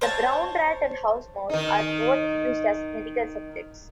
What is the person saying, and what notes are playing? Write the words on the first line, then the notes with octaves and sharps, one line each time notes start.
The brown rat and house mouse are both used as medical subjects.
C5 C#5 A5
D#3 D#4